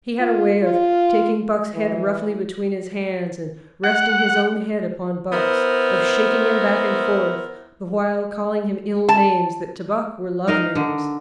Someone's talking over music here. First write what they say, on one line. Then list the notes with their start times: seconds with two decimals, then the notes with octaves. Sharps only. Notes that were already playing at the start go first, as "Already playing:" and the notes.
He had a way of taking Buck's head roughly between his hands, and resting his own head upon Buck's, of shaking him back and forth, the while calling him ill names that to Buck were love names.
0.20 F4
0.63 F4
1.74 E3
3.84 F#5
5.33 B3 E4 A#4 C5
9.09 A5
10.47 D#4 A#4 D#5 F5
10.75 D3